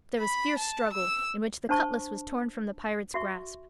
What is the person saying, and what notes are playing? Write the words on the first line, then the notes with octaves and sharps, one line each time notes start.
There was fierce struggle, in which the cutlass was torn from the pirate's grasp.
B5
A5
E6
D4 C5 A5 C#6
F#4 E5 C#6